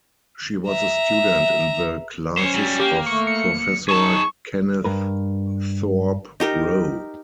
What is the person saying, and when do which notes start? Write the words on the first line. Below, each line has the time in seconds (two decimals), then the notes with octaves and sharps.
She was a student in the classes of Professor Kenneth Thorpe Rowe.
0.67 E5 A#5
2.37 C#4 C5 C#5
2.54 F#3 G3
2.80 A#3 G4
3.06 A3 C#6
3.27 C#7
3.89 D#4 G#4 A5 C#6
4.84 G2 A#4 B4
6.40 D#4 G4 A#4